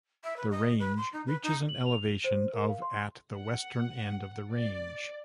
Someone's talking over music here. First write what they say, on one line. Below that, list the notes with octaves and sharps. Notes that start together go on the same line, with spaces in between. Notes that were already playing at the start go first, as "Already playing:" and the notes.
The range reaches an elevation of at the western end of the range.
E5
B4
D#5
B4
C6
D#4
B4
D#4
F#7
F7
C5
A#4
F5
C6
F#5
D5